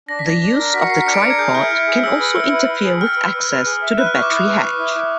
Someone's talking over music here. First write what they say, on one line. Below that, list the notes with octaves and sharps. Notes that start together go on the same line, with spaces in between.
The use of the tripod can also interfere with access to the battery hatch.
D4 A#6
B6
D4 A#6
D4
A#4
F#4 B6
C#7
A#4 C7
B6
D4 C#7
D7
A#4 C#7
G#6
G#4 G6
E4 F6
E4 F6
G#4
G#4 E6
B4
E4 E6
B4
B4
G#4
G5 F6
B4
B4
B4
G#4
E5
B4 F#6
F6
E4 C#6
D6
E4 D#6
B4
B4
E4
E4